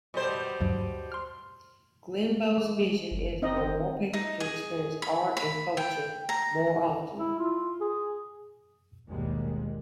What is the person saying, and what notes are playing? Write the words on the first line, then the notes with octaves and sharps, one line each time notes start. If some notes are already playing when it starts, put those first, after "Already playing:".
Glenbow's vision is for more people to experience art and culture more often.
B2 G3 C5
D2 G2 F#3
C6 F6
G#3
F#1
C4 D#4 D#5
C4
D#4
G#4
B5
B5
G5
A#5
E4
F4
G#4
G1 D#2 B2 G3 G#3 A#3